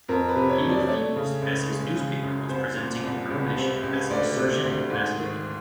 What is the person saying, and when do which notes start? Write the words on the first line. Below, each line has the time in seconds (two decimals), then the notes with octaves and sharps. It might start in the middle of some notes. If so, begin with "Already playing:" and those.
He refused as his newspaper was presenting the prohibition as an assertion of masculinity.
0.09 F2 A#4
0.29 B4
0.35 C3
0.49 C#5
0.63 F2
0.69 D5
0.84 D5
0.89 A3 C#5
1.16 C#3
1.42 C#2
1.69 G#3
1.95 C#3
2.23 F#2
2.49 C2 C5
2.76 A#2
3.03 C2
3.30 C#2
3.57 C3
3.83 C#2
4.10 D2 D5
4.36 C3
4.64 D2
4.90 G#2
5.18 D#3